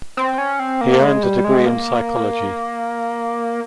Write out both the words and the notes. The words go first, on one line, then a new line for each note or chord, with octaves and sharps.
He earned a degree in psychology.
C4
C#4
C4
A#3
G#3
G3
G#3
A#3